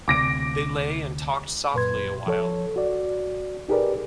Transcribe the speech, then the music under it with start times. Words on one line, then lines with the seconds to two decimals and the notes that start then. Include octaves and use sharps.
They lay and talked softly awhile.
0.08 D2 C3 D6 A#6 D7
1.74 F#2 A#2 B4 C6 G#6
2.26 F3 A4 C#5
2.76 F#4 D5
3.69 D#4 G4 G#4 A#4 B4 D5